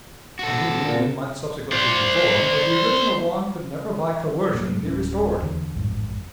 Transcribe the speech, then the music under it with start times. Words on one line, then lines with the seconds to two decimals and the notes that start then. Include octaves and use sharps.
A new union might subsequently be formed, but the original one could never by coercion be restored.
0.39 F#4 A4
0.84 A#2
1.72 C5 D5
4.55 C3 F#3 A3 A#3
4.82 D1 C#4
5.42 E2 D3
5.75 A1 F2 G#2